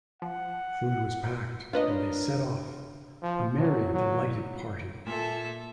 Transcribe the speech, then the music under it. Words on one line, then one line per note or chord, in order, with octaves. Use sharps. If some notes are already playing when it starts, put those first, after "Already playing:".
Food was packed, and they set off, a merry, delighted party.
F3 F#5
D4 F4 A#4 B4 C#5 D#5
F3
F#3
F#3
A#2 A4 E5